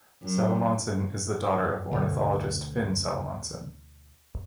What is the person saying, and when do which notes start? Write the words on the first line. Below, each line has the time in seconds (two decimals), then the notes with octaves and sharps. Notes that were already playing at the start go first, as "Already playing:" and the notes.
Salomonsen is the daughter of ornithologist Finn Salomonsen.
0.23 F#2
1.91 D2 B2 D3 D#3